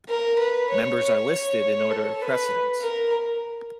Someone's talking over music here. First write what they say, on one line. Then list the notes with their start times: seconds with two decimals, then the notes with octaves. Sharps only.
Members are listed in order of precedence.
0.08 A#4
0.39 B4
0.70 C#5
1.00 C#5
1.91 A4
2.21 B4
2.81 A#4